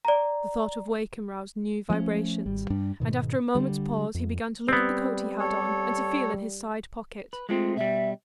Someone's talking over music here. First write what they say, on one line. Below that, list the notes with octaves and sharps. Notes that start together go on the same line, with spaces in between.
The thought of Wakem roused new vibrations, and after a moment's pause he began to look at the coat he had on, and to feel in his side-pocket.
D5 A#5
F3 A3 A#3 C#4
G#1 G3
G2 G3 D4
G#2 B2 D#3
D3 G3
F2
G3 B3 C4
A4 C#5
B4
G#3 A3 C4 F4
B2 G3 E5